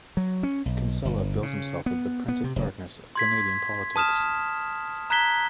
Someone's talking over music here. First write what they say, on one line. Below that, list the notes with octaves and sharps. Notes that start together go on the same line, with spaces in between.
Kinsella bills himself as the "Prince of Darkness" of Canadian politics.
F#3
C#4
B1
G1
C#3
B3
B3
C3
F#1
C6 G#6 B6
A5 D#6 F6 E7
A#5 F#6 G#6 B6 G7